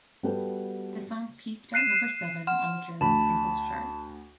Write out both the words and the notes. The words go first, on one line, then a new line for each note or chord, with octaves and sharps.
The song peaked at number seven on the German Singles Chart.
G3 B3 F#4 A4 B4 G5
F#6 C7 D#7 E7
F#5 C6 F6 E7
D2 A5 B5